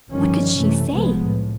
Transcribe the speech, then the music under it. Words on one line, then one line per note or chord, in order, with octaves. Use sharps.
What could she say?
G1 D#3 F3 G3 C#4
F#2 C3 E3 A3
C2 C3 F3 G#3 B3
A2